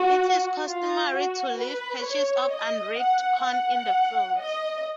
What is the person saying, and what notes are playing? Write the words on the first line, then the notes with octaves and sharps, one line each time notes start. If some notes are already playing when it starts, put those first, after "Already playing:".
It is customary to leave patches of unreaped corn in the fields.
Already playing: F#4
F4
F#4
B4
C#5
D#5
F#5
F#5
D#5